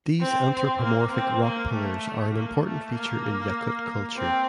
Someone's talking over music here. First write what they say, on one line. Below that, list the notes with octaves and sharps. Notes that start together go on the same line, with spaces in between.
These anthropomorphic rock pillars are an important feature in Yakut culture.
C4
C4
A#3
C4
A#3
A3
A#3
A3
A#3
C4